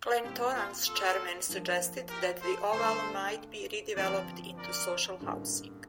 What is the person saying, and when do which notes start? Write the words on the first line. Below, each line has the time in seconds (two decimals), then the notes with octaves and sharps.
Glentoran's chairman suggested that the Oval might be redeveloped into social housing.
0.24 A#2 G3 C4 E4 G4
0.55 F4
0.86 F4 A4
1.49 G2 F3 A#3
2.10 G4 A#4
2.41 A4 C5
2.72 G1 G2 D3 A3 A4 C5
3.96 G1 G2 F3 C4 G4 A#4 D5
4.58 A#4 D5
5.20 A1 G2 D3 G3 A#3